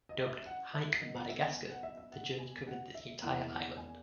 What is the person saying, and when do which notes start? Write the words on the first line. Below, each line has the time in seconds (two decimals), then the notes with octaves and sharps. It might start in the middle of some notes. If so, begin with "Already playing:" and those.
Dubbed "Hike Madagascar", the journey covered the entire island.
0.09 D#5
0.27 E5
0.46 F#5
0.74 E5
1.00 B2 F#3 A#3 D#5
1.15 F#5
1.29 E5
1.42 G#5
1.56 G#5
1.70 F#5
1.83 E5
1.97 E5
2.12 F#5
2.39 G#5
2.67 F#5
2.94 E5
3.22 E2 B2 A#3 E4 F#5
3.50 F#5
3.77 G#5